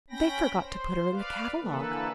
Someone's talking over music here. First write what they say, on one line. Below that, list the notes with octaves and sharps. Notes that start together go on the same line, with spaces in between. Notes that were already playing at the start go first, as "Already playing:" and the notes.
"They forgot to put her in the catalogue."
C#4 G5 B5 A#6
C5
B4 D5 F5
D3 E3 A#3 A4 B4